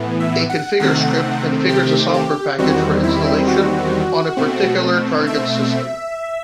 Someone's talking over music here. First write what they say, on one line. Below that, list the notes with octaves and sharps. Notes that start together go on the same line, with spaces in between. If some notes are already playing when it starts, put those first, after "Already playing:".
A configure script configures a software package for installation on a particular target system.
Already playing: A2 E3 B3
E5
F#5
C3 D#3 A3 C4 F#5
G4
G4
E2 D#3 G3 C4 F#4
E4
F#4
B2 A3 C4
E5